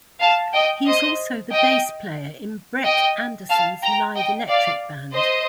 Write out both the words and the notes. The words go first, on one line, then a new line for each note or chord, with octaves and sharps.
He is also the bass player in Brett Anderson's live electric band.
F5 A5
D#5 G5
C5 D#5
D#5 G5
D#5 G5
F5 A5
G5 A#5
D#5 G5
D5 F5
C5 D#5